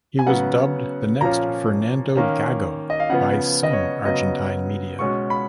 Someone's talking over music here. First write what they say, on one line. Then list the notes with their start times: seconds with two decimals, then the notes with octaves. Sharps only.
He was dubbed the next Fernando Gago by some Argentine media.
0.19 G#5
0.26 C#3 F#3 B3 F#5
1.21 A#2 F3 A#3 C#4 A#5
2.16 D#3 A#3 C#4
2.90 D#5
3.00 F5
3.10 C#3 F3 B3 F#5
3.63 D#5
3.73 C#5
4.05 C#3 F#3 B3 D#5
4.99 B2 G#3 C#4 C#6
5.30 B5